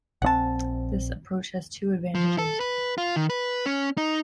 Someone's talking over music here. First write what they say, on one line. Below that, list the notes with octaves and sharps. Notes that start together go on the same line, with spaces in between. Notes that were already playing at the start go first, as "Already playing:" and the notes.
This approach has two advantages.
A#1 E3 C4 F#5 A5
F3
A4
B4
F4
D#3
B4
C#4
D#4